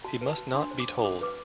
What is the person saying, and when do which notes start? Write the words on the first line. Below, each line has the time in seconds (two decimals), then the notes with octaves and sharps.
He must not be told.
0.04 F#4 A5
0.21 B4
0.30 A5
0.38 F#4
0.55 D4 C6
0.71 C5
0.80 D6
0.89 C5
1.04 F#4 D6
1.21 B4 D6